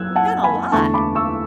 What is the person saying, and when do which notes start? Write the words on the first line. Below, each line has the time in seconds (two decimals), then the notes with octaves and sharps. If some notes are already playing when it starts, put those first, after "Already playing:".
You've done a lot.
Already playing: F#3 E6 F#6 G#6
0.16 F#5 A5
0.44 G#5 B5
0.72 E2 D3 A3 A5 C#6
0.94 B5 D6
1.15 C#6 E6